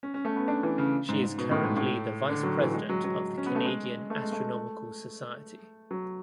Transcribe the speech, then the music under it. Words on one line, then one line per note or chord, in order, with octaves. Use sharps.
She is currently the Vice President of the Canadian Astronomical Society.
C#4
C#4
A3
B3
D4
E3
C#3
G#2
G#2
B2
A2
G#2
A2
D3
F#3
E3
G#3
F#3
F#3
C#4
B3
A3
G#3
A3
G#3
A3
F#3